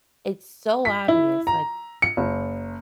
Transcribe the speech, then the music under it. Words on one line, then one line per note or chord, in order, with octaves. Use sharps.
it's so obvious, like,
B6
E4
A#5
C#7
F#1